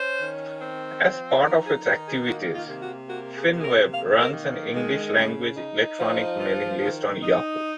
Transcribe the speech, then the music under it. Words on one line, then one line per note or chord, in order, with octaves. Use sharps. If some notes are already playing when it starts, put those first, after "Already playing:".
As part of its activities, pHinnWeb runs an English-language electronic mailing list on Yahoo!
Already playing: C#4 C5
D#3
C4
F3
D#4 A#4
G#4
D#3 F#4
G#4
A#3 F#4
F4
C3
F#4
A#3 F#4
G#4
C3
G#4
A#4
A#3 F5
A#4
D#3
G#3
C#3
D#4
F3
F4
D#3
D#4